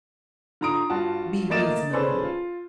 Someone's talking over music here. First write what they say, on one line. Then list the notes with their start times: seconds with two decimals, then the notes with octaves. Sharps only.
Be reasonable.
0.61 D3 F4 A#5 D#6 D7
0.90 G2 F4 F#4 A5
1.50 A3 A#3 D#5 A6 D7 E7
1.93 C#4 G#4 A4 B4 C5 D5
2.23 F4